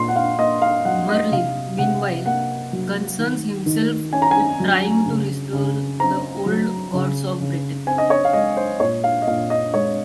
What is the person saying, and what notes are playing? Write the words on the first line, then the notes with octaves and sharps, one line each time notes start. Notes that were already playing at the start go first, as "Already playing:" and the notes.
Merlin, meanwhile, concerns himself with trying to restore the old gods of Britain.
Already playing: A#2 C6
F#5
F5
A#3 D#5
F5
F#3 F#5
D#5
C3 F5
C3 F#5
A#3 F#5
F#3
D#3
D#3
C#4 G#5
A#5
G#5
F#3
C#3
C#3
C4 A#5
F#3
C#3
C#3
C4 G#5
D#5
C#5
F5
G#3 D#5
C5
A#2 C#5
F5
D#5
A#2 F5
D#5
G#3 C#5